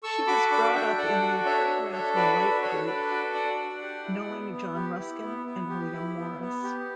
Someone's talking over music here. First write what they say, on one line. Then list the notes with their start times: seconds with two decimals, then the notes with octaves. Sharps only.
She was brought up in the Pre-Raphaelite group, knowing John Ruskin and William Morris.
0.03 A4 C#6 E6
0.27 F#4 B5 D6
0.51 D4 B5 D6
0.74 D4 E5 G5
0.98 A4 D5 F#5
1.22 F#4
1.45 D4 C#5 E5
1.68 D4
1.92 A4 C#5 E5
2.15 F#4 B4 D5
2.39 D4 B4
2.62 D4 A4 C#5
2.86 A4 B4 D5
3.11 F#4
3.34 D4 D5 F#5
3.57 D4
3.82 G4
4.04 E4
4.28 B3
4.52 B3
4.75 G4
4.99 E4
5.22 B3
5.46 B3
5.69 G4
5.93 E4
6.17 B3
6.41 B3
6.63 G4